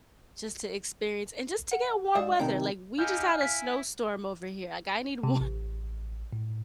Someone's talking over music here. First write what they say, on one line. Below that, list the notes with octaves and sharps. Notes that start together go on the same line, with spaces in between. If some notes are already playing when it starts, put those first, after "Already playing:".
Just to experience and just to get warm weather, like, we just had a snowstorm over here, like I need wa
F#5
G#2 D5 E5 F5 D#6
A2 C3 D#3 C#5 G5
D#4 E4 G4 F5 G#5 G6
E4 B6
C3
A1
A2